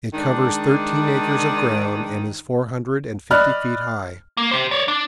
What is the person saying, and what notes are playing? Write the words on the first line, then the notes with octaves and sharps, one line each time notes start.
It covers thirteen acres of ground and is four hundred and fifty feet high.
D#3 G#3 D4
D5 D#5 B5 F6 F#6
A#3
G4 C5
C#5 D5
D4